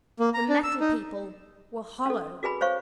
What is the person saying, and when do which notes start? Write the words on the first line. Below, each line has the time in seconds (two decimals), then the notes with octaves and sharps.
The Metal People were hollow!
0.20 A#3
0.34 A#5
0.49 D4
0.64 E6
0.80 D#4
2.06 C#4 A4
2.43 F#4 G#4 B4 G#5 B5
2.61 C5 C#5 F5 C#6